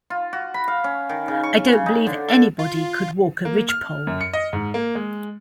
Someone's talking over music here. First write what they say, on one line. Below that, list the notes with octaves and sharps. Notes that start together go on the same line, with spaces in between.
I don’t believe anybody could walk a ridgepole.
F4
F#4
B5
F5
C#4
D#3
C#3
C#6
C#3
D#4
D3
A4
F4
A#3
F6
F#2
C#7
D#5
G#2
A#3
G#3